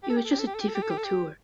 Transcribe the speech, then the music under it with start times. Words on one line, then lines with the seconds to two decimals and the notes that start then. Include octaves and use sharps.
It was just a difficult tour.
0.03 G4
0.10 A4
0.16 G4
0.24 A4
0.31 G4
0.39 A4
0.47 G4
0.54 A4
0.61 G4
0.68 A4
0.75 G4
0.82 A4
0.90 G4
0.97 A4
1.04 G4